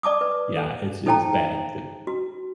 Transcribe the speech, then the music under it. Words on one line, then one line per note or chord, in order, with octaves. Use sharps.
Yeah, it's it's bad.
D5 A5 D6 D#6
B4
A4
D#4 A4 C5 G5 A5 A#5
F#4